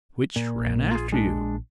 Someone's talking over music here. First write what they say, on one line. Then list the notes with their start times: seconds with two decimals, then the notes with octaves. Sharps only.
"Which ran after you?"
0.36 A#2
0.59 A#1
0.91 F4 G#4
1.12 G#3 D4